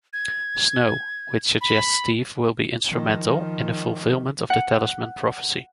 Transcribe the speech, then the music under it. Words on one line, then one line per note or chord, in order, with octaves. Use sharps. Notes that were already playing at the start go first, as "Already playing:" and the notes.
Snow, which suggests Steve will be instrumental in the fulfilment of the Talisman Prophecy.
G#6
B5
D#3 F3
F#5